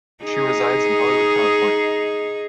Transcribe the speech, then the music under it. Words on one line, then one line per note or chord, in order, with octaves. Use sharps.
She resides in Hollywood, California.
D#4 G#4